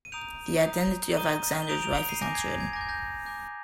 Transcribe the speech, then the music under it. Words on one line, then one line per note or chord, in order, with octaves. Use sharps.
The identity of Alexander's wife is uncertain.
D#7
A#5 D#6 G6 D7 F7
A#5 D#6 G6
A#5 D#6 G6 D#7 G7
G7
A#5 D#6 G6 D7 F7
D7 F7
D7 F7
C7 D#7
G#5 D6 G6 A#6 D7
G#6 C7
G#6
G#6
G#5 D6 G6 A#6
G#6
G6 A#6
G#5 D6 G6